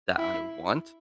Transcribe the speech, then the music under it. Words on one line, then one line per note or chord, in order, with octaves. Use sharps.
that I want
E4